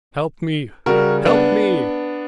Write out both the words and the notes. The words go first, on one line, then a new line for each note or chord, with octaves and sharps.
Help me! help me!'
C#3 G3 F#4 A#4
B3 D4